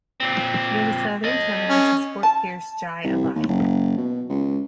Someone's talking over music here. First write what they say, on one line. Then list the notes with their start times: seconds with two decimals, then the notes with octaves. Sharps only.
Near the southern terminus is Fort Pierce Jai-Alai.
0.20 A#2 C4
1.24 A4 D#5
1.70 C#4
2.23 A5
3.04 C2
3.36 D#2
3.48 F#1
3.98 B2
4.30 C#2